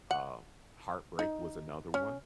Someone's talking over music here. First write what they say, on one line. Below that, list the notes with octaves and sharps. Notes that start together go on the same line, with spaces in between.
um, heartbreak was another one,
F#5
D#4
C#4